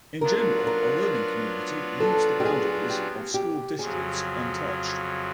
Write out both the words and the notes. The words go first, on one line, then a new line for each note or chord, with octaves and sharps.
In general, a learning community leaves the boundaries of school districts untouched.
F#3 B3 D4 F4 A#4
A#4
A4
G4
G#4
G4
G4
F2 C#3 F#3 G#4